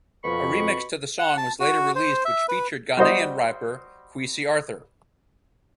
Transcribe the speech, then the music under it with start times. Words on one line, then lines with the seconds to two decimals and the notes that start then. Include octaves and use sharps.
A remix to the song was later released which featured Ghanaian rapper Kwesi Arthur.
0.24 F2 B2 B5 C#6
1.19 F#5
1.37 A5
1.60 F#4
1.95 C5
2.25 E5
2.49 B4
2.97 G3 F#4 C5 D#5